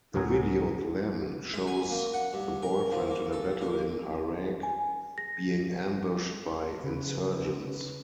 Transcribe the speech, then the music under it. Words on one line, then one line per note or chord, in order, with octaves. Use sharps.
The video then shows the boyfriend in battle in Iraq being ambushed by insurgents.
C#2 F#2 A2 F#3 G#4 A#4
G#3
G#5
A#3
F#5
G2
A#4
F3
A#3
A4
A#3
G#5
A#6
C#3 B4